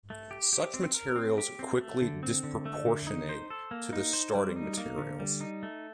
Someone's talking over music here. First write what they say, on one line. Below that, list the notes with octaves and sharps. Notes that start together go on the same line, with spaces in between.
Such materials quickly disproportionate to the starting materials.
A3
G4
G4
C4
A#4
C4
G4
C4
A3
D3
C4
D3
A3
D3
D#4
C5
A4
A#3
D#4
C5
G3
D#4
A#3
D3
G3
D#4
A3